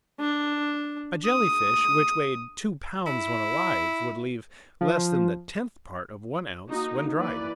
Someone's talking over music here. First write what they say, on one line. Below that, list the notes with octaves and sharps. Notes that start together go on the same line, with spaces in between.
A Jelly-fish, which weighed two pounds when alive, would leave less than the tenth part of one ounce when dried!
D4
D#6
E4
F3
A#3 D#4 F#4
E3 A#3 B4 D5